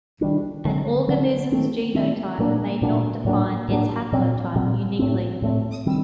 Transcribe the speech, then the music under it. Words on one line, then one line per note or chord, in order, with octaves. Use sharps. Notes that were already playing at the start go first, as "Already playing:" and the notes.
An organism's genotype may not define its haplotype uniquely.
D#3 G3 D4
D3 F#3 C4
D3 F#3 C4
D#3 A3 C4
D#3 A3 C4
A#2 F#3 A#3 D4
A#2 F#3 A#3 D4
A2 F#3 A#3 D4
A2 F#3 A#3 D4
A#2 F#3 C4
A#2 F#3 C4
A2 A3 C4
A2 A3 C4
D#3 G3 C4